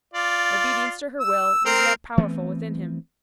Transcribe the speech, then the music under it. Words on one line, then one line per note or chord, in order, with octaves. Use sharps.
Obedience to her will was yet powerful within him.
F4 D5
E6
C4 A#4
E3 A3 B3 C4